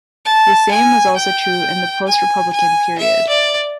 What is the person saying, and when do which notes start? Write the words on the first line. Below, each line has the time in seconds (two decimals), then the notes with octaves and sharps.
The same was also true in the Post-Republican period.
0.25 A5
0.71 G#5
1.16 G5
2.07 G#5
2.53 G#5
2.98 E5
3.29 D5